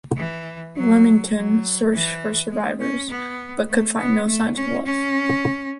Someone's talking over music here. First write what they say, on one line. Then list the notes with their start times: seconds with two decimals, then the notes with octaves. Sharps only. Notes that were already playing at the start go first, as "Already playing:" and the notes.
"Leamington" searched for survivors but could find no signs of life.
0.17 E3
0.76 F#3
1.35 F#3
1.93 E3
2.50 G#3
2.80 C#4
3.09 B3
3.68 A3
3.98 B3
4.27 A3
4.55 C#4
4.85 C#4